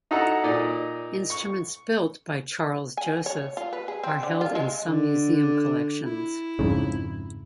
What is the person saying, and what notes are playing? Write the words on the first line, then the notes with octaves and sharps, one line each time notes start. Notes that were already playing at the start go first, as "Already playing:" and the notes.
Instruments built by Charles-Joseph are held in some museum collections.
D#4 E4 F#4 A4 F#5 A#5
A#2 D#4 D5 D#5
C#6
G#5
C#5
F4
B4
G#4
C4
D3
F4
G#3
D3
E4
F2 G#2 C#3